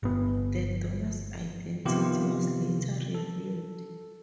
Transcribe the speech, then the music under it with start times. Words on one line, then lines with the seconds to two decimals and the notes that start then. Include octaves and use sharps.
The donor's identity was later revealed.
0.03 G1 B3
1.85 C3 D#3 F3 B3 F4 G4
3.15 A4